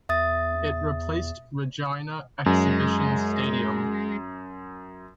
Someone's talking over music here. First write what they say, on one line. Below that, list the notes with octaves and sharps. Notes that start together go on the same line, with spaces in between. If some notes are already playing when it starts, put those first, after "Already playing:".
It replaced Regina Exhibition Stadium.
E2 E5 D#6 A6
F#2 G#3